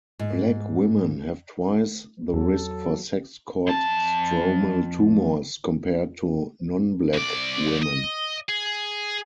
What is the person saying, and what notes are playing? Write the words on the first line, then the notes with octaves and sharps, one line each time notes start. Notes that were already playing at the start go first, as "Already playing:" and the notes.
Black women have twice the risk for sex cord-stromal tumors compared to non-Black women.
G#2
E2 F#3 A4
F2 A5
C2 D5
D#5
G#4